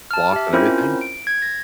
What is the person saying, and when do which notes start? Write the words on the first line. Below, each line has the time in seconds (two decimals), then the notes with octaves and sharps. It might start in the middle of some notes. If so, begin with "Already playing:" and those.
floss and everything?
0.11 A5 F6
0.33 G4 E5
0.53 C4 C#4 E4 F4 A#4 C5
1.01 D7
1.27 G#6
1.42 A#6